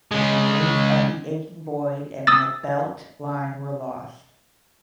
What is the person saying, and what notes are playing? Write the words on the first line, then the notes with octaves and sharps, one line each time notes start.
Memories of the aching void at my belt-line were lost.
C#3 G#3
D#6 E6 A6